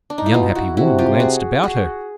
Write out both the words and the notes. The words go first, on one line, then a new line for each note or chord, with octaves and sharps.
The unhappy woman glanced about her.
D4
D#4
E4
B2 D#4 F4
E4 F#4
C3 E4 F#4
F4 G4
F#4 G#4
F#4 G#4